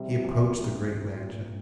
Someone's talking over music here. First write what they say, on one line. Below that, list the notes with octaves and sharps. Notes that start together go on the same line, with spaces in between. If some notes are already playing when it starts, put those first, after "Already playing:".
He approached the great mansion.
Already playing: C3 G3
F3
C2
A#2
A2